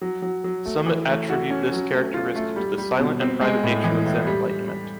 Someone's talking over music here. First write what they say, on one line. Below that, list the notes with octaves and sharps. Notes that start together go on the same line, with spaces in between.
Some attribute this characteristic to the silent and private nature of Zen enlightenment.
F#3
F#3
F#3
A3
E3
A3
F#4
C#4
F#3
A3
F4
A3
G3
G3
B2
C4
G#3
A2
E3
A2
G3